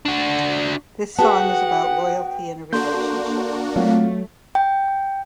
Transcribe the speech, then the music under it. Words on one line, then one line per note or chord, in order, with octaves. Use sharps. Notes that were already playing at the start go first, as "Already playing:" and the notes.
The song is about loyalty in a relationship.
D4 F#4
B3 F#4 G#4 B4 F#5 G5 A5
A#3 D4 F#4 A4 C6 G6
F#3 A3 C4 F4 F5
G5